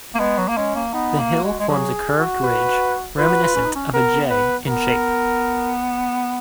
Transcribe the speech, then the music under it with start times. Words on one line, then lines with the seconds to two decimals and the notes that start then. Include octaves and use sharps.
The hill forms a curved ridge, reminiscent of a 'J' in shape.
0.15 A#3
0.19 G#3 B3
0.38 F#3
0.48 A#3
0.57 G#3 C#4
0.75 A#3
0.93 B3 D#4
1.18 A#3
1.32 F#4
1.43 G#3
1.59 G#3
1.69 F#3 G#4
2.19 F#4
2.43 B4
3.18 F4 B4
3.30 F#4
3.43 F4
3.56 C#4
3.65 D#4
3.75 C#4
3.93 B3 A#4
4.30 B4
4.68 B3 A#4